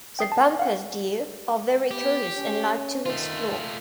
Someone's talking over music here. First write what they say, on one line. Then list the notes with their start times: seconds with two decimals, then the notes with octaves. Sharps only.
The Pampas deer are very curious and like to explore.
0.19 G5 D#6 C7
0.32 A5
0.59 F5 F#5
1.91 B3 G4
2.38 C#4
3.06 D#3 A3 F4